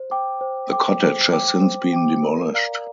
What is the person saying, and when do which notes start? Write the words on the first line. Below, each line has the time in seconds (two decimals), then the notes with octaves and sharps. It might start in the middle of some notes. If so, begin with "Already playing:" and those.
The cottage has since been demolished.
Already playing: C5
0.11 G5 D6
0.41 C5
0.72 G5 D6
1.02 C5
1.33 G5 D6
1.62 C5
1.93 G5 D6
2.23 A#4
2.53 D5 F5 A#5